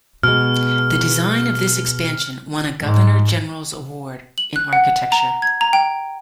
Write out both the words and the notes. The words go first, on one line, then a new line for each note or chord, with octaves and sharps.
The design of this expansion won a Governor General's Award in Architecture.
B2 G#3 F6
G#2
F#7
F#6
F#5
A#5
G#6
A#5
G5